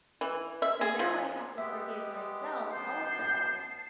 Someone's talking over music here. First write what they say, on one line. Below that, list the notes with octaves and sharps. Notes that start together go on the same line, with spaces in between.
So now I have to forgive myself also,
E3
E5
G#4
F3
G#3 B3 G4 E5
F#2 B3 A5 G6 C7